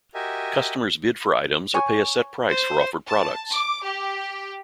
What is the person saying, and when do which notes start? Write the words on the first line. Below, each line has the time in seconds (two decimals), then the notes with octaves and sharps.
Customers bid for items or pay a set price for offered products.
0.15 F#4 G4 A#4 D#5 E5 G#5
1.74 C#5 G#5
2.49 C5
3.07 A5
3.52 D6
3.84 G4